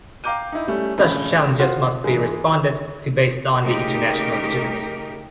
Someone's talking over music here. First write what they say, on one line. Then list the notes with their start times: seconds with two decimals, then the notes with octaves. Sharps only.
Such challenges must be responded to based on the international legitimacy.
0.24 F5 G5 A#5 D6 G6 D#7
0.53 D#4 E4
0.68 G3 A3 C#4
0.98 A#1 C#3 A3 B5
1.59 F4 F#4 C5 C6
2.04 G#2 E3 G#3
3.63 C#3 A3 D#4 G4 A#4